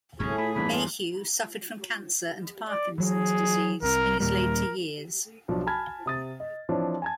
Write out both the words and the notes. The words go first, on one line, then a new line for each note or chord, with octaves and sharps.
Mayhew suffered from cancer and Parkinson's disease in his later years.
D1 C2 F#2 A2 C#4 G#4
A3 B5
E2 G2 E3 B5
F4
D5
E3 F#3 G#4
C2 C3 A#4
D#2 A#2 G3 A#4
B1 F3 D4
G#5 A5 B5 F6 G#6
C3 D#6 A6
D#5
E3 F3 C4 D4 C#5
G#5 A5 G#6